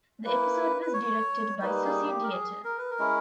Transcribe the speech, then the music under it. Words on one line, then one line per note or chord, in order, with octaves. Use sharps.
The episode was directed by Susie Dietter.
A#3 E4 B4
B4
C#5
G3 A#3 D#4 B4
G#4
G4
A#4
G#4
A#4
B4
A#4
G#3 C#4 E4